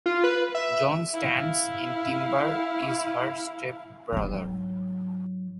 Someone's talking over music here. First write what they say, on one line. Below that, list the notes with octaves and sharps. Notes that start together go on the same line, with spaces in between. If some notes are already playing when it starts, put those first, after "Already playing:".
John Stands In Timber is her step brother.
F4
B4
E5
E4 F5
G#2 F#3